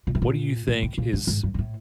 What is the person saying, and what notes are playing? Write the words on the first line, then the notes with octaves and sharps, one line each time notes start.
what do you think is
A#2
A2
A#2
A2
A2
A#2
G#2
G#2
G2
G#2
A2